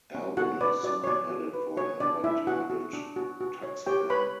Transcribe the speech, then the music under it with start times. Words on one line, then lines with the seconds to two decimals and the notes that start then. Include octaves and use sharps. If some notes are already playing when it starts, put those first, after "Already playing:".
"Albany" soon headed for another target-Tuxpan.
0.15 C#4
0.37 F#4 F#5
0.61 B4 D5
0.83 F#4 D5
1.04 C#5
1.07 F#4 D5
1.30 F#4
1.54 B4
1.77 F#4 C#5
2.00 D4 D5
2.24 D4 E4 E5
2.47 F#4 F#5
2.70 F#4
2.93 D4
3.16 F#4
3.41 F#4
3.63 C#5
3.86 G4 C#5 G5
4.10 B4 C#5 B5